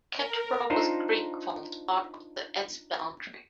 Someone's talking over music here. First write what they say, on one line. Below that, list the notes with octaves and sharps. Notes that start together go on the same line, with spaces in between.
Cattaraugus Creek forms a part of the S. boundary.
A#4
D4 D#4 F4 A#4 C5